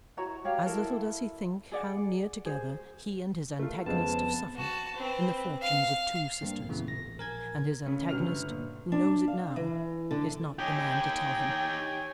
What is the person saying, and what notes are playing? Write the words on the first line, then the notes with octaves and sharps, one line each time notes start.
As little does he think how near together he and his antagonist have suffered in the fortunes of two sisters, and his antagonist, who knows it now, is not the man to tell him.
E4 F#4 C#5 A#5
F#4 G4 C#5 F5
E4 A4 A#4
G#4 D5 F#5
G#4 C5
A3 F4
F2 C#3 G#3 B3 C4 A5
F#4 A5
C4 B4
F5
G2 A#3 C4
E2 A#2 C#3 E3 A3
A1 A#6
A#1 A#4 G#5 G#6
C#3 A3 C#4
G1 F6 F7
A#2
D4
F5
E3
D3
D#4 G4 C#5 G5 G#5